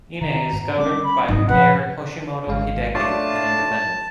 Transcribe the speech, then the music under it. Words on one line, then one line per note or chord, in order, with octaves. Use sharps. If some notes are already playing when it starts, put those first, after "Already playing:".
Ine is governed by mayor Yoshimoto Hideki, an independent.
D#3 A#5
G#2
G3 C#4 D6
B5
G#2 F#3 C4 D#4
A#2 F3 B4 F#5
G#1 G#3 F5
A3 D4 F4 C#5 D5 A5